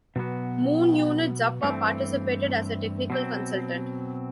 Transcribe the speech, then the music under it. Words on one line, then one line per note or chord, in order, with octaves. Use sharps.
Moon Unit Zappa participated as a technical consultant.
B2 F#3 B3 F#4
G2 E3 A3 C4
B2 F#3 C4